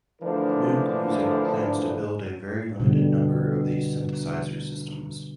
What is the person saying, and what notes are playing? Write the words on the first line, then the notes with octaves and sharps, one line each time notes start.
Moog Music plans to build a very limited number of these synthesizer systems.
D3 E3 F3 A3 D4 A#4
B2 D3 G3